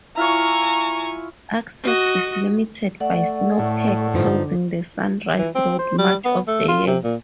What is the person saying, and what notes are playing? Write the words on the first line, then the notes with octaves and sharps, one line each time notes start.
Access is limited by snowpack closing the Sunrise Road much of the year.
E4 F4 C#5 G#5 A#5 C#6
F#4 D#5
A3 D5 F#5
A2
G2 D3 F3 D#4
E3
C4
C5
G3
B3
A3
F4
C3
A#2